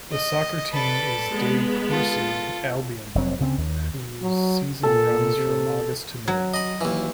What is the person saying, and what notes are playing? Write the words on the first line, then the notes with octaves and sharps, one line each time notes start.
The soccer team is De Courcey Albion whose season runs from August to May.
D#5
A4 B4 D5
G#3 B3
F4 A4
F1 F#3 C4
D2 C#3 G3 C4
D#2
F#3
A#2 A4
C3
F#3
D#5 B5
D#2 E3